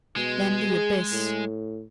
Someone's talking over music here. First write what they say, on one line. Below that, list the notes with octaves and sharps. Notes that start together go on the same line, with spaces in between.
Then the abyss.
B2 G#3
G#4
A2